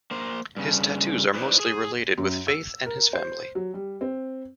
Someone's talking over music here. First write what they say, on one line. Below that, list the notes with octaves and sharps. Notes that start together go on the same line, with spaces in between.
His tattoos are mostly related with faith and his family.
A#3 C5
G2 C#3
D#4 E4 B4 C5 D5
G#4
F#2
E6
A#4
C5
F#3
G3
C4